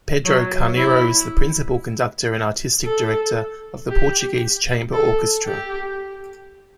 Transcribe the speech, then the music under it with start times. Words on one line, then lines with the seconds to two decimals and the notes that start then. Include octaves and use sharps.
Pedro Carneiro is the principal conductor and artistic director of the Portuguese Chamber Orchestra.
0.25 F#3
0.77 E4
2.85 A4
3.89 G4
4.93 A4
5.45 G4